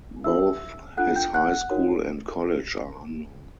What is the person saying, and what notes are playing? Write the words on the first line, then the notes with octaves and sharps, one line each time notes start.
Both his high school and college are unknown.
D4 F#4 A4 C#5 E5 E6
D4 F4 A4 F#5 F#6
G5 G6
F#5 F#6
D#4 F#4 A#4 C#5